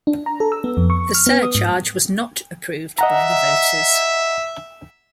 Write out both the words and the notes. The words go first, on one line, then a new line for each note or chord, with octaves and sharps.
The surcharge was not approved by the voters.
D4
A#5
A4
E6
B3
F2
C#6
F6
B3
D#6
G#2
D#5 E5 F#5 A#5